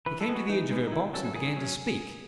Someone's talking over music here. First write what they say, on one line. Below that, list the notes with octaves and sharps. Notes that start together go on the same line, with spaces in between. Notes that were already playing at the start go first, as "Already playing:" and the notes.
He came to the edge of her box, and began to speak.
E3 B4
A4
G#3 B3
F#4
E3 D#4
G#3 B3
D#4
D#3 E4
F#3 C#4 A4
A4
D#3 G#4
F#3 C#4